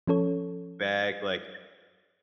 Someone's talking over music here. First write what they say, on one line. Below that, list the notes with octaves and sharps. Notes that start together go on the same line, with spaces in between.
vague, like
F3 C#4 A4 C#5